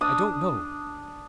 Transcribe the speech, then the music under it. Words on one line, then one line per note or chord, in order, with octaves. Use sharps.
I don't know.
D4 D#6